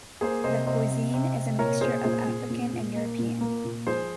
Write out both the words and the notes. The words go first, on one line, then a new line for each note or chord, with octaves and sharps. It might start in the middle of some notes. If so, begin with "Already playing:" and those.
The cuisine is a mixture of African and European.
A#3 G#4 C5
C3 C5 D#5
C3 C5 D#5
C3
C3
C3
A#2 A#4 C#5
A#2 G#4 C5
A#2 G#4 C5
A#2
A#2
A#2
A#3
A#2
A#3
A#2
F3 G#4 C5